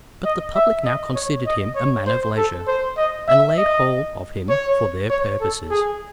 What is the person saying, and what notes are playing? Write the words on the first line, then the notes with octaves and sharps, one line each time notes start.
But the public now considered him a man of leisure, and laid hold of him for their purposes.
D#5
E5
D#5
C#5
D#5
C#5
C5
A4
C5
D#5
E5
D#5
C#5
C#5
A4
G#4